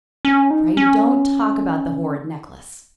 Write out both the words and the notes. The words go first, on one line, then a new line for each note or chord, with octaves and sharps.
"Pray don't talk about the horrid necklace."
C#4
D#4
C#4